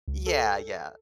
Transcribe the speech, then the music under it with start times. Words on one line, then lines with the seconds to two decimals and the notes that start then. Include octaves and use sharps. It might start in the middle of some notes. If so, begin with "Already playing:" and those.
Yeah, yeah.
0.08 C#2
0.26 A4